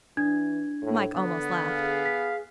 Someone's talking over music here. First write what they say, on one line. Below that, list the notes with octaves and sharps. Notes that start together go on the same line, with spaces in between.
Mike almost laughed.
E3 D4 G#6
A2
D3 B3
G#4 F5
B6